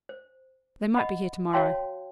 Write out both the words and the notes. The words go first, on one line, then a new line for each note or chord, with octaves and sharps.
They might be here to-morrow.'
C5
D#5 F#5 B5
F#4 C#5 F5 G5 A5 C6